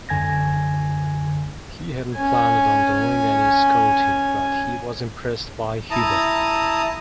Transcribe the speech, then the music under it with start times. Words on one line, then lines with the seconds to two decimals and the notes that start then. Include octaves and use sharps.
He hadn't planned on doing any scouting, but he was impressed by Hubbell.
0.09 F#2 D3 G#5 G#6 A#6
2.16 C#4 G#5
5.91 E4 A5 A#5 D#6